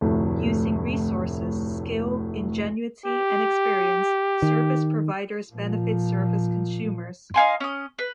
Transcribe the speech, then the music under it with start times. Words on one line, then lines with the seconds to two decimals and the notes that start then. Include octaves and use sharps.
Using resources, skill, ingenuity, and experience, service providers benefit service consumers.
0.01 F1 D2 A2
3.06 G4
4.42 D#3
5.53 A#2 F3
7.34 D#4 F5 G#5 C6
7.60 C#4 D#6
7.99 B4